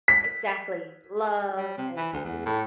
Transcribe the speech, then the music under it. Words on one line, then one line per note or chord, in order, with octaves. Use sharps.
Exactly. Love and mhm.
B6
G3
C3
E3
D2
E2
A2